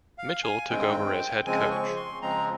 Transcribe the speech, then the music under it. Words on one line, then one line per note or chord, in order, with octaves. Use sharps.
Mitchell took over as head coach.
F5
G#5
G2 D#3 G#3 C4 G5
C#3 F3 G#3 C4 G#5
C#6
C6
C#3 F3 G#3 C4 A#5